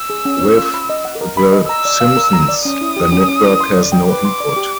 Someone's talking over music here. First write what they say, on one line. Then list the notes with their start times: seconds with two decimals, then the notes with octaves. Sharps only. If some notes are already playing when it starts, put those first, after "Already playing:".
With "The Simpsons" the network has no input.
Already playing: E6
0.10 G#4
0.25 C#4
0.41 C#5
0.57 F4
0.74 B5
0.90 D#5
1.05 F#5
1.21 A#4
1.37 B5
1.52 D#5
1.68 A#5 E6
1.85 D5
2.01 F5
2.17 A#4
2.33 A#5
2.49 D5
2.65 C#4 D#6
2.81 E4
2.96 G4
3.12 C#4
3.29 C#4
3.44 E4
3.60 C6
3.77 D5
3.92 G5
4.08 B4 D6
4.25 C6
4.40 D5
4.56 G4